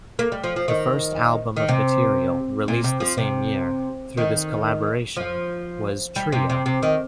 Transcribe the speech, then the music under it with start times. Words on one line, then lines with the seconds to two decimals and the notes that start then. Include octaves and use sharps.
The first album of material, released the same year, through this collaboration was "Trio".
0.19 A#3
0.32 G3
0.44 F3
0.56 F3
0.68 D#3
1.56 D#3
1.69 C3
2.68 A#2
2.84 C3
3.00 F3
3.17 C3
4.17 D#3
5.17 F3
6.16 G3
6.32 C3
6.50 C3
6.66 C3
6.82 D#3